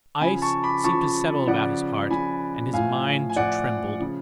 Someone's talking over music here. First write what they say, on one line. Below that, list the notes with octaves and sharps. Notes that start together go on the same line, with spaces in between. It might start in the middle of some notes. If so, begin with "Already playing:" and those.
Ice seemed to settle about his heart, and his mind trembled.
C#3 F3 G#5 B5
A5 C#6
B5 D6
C#3 F3 A5 C#6
C#3 F3 D5 F#5
C#3 F3 G#5 B5
A2 F3 F5 G#5
G#5
A2 F3 D5 F#5
C#3 F3